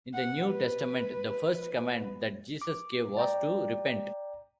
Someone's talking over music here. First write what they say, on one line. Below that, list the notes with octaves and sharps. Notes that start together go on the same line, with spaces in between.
In the New Testament, the first command that Jesus gave was to repent.
F#5
B4
D6
D5 G5 A#5